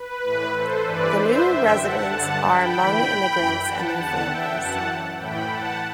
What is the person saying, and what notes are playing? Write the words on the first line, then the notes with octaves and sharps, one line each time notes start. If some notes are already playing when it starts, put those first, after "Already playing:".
The new residents are Hmong immigrants and their families.
Already playing: B4
A2 E3
A4 C5
G2 E3 B4 D5
C5 E5
F#2 D3 E5 G5
F#5 A5
G2 D3 F#5 A5
G5 B5
A2 E3
F#2 E3
F#5 A5
E2 D3 F#5 A5
E5 G5
F#2 E3 F#5 A5
A2 E3 G5 B5
F#5 A5